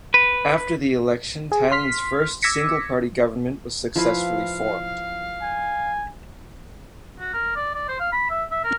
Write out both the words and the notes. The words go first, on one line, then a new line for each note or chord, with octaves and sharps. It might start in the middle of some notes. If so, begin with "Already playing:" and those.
After the election, Thailand's first single party government was successfully formed.
B4
G#4
C6 F6 B6
D6 E6 G#6 A#6 B6 C#7
F3 E4 B4 F5
G#5
F#4
A#4
D5
D5
C5
F5
B5
E5
E5
A#4